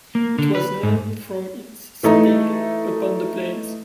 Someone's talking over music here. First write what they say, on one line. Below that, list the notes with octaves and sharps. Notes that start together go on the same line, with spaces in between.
It was named from its setting upon the plains.
A#3
D3
B4
G#2
E3 A3 D#4